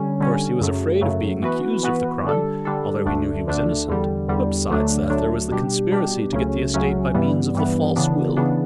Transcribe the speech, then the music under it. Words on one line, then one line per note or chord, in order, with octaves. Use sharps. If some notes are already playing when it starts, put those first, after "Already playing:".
Of course, he was afraid of being accused of the crime, although he knew he was innocent, but, besides that, there was the conspiracy to get the estate by means of the false will.
Already playing: D3 G3 C#4
D3 G3 C#4
F#2 C#3 F#3 A3
F#2 C#3 F#3 A3
E3 B3 F#4 B4
E3 B3 F#4 B4
D3 G3 D4 A4
D3 G3 D4 A4
D2 D3 A3 D4
D2 D3 A3 D4
E2 D3 G3
E2 D3 G3
D2 D3 F#3 A3 D4
D2 D3 F#3 A3 D4
B2 G3 D4 G4
B2 G3 D4 G4
C#2 C#3 F#3 A3 C#4
C#2 C#3 F#3 A3 C#4
G2 E3 G3 B3
G2 E3 G3 B3
C#3 E3 B3 D4
C#3 E3 B3 D4